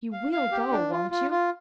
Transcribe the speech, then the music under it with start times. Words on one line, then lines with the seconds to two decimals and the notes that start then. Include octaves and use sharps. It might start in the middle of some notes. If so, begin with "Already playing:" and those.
'You WILL go, won't you?'
0.12 F5
0.32 F5
0.52 G4
0.72 D4
0.91 F4
1.11 F4
1.31 F4